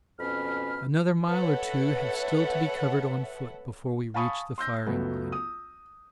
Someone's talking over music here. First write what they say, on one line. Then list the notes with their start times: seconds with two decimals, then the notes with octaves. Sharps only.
Another mile or two have still to be covered on foot before we reach the firing-line.
0.19 F2 B2 C#4 B5 F6
1.30 A4 B4 C#5 E5 F#5
4.14 F5 G#5 A5 B5 C#6 D#6
4.58 C6 E6 G6 A#6
4.86 C#2 F#3 A3 B3
5.32 D#6